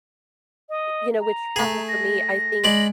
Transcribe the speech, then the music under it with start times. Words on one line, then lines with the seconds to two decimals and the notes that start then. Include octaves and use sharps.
eh, you know, with travel for me, I think,
0.69 D#5
1.20 A#5
1.56 A3 G#4
1.88 A#6
2.64 G#3 D5 B5